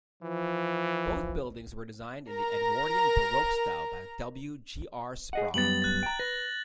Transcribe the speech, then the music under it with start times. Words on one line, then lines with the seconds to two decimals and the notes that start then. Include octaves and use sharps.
Both buildings were designed in the Edwardian Baroque style by W. G. R. Sprague.
0.23 E3 F3
2.30 A#4 A#5
5.33 G#4 D#5 F#5
5.54 F#2 G3 B3 A6 F#7
5.82 F#6 A6
6.03 G5 A#5
6.19 B4 A#6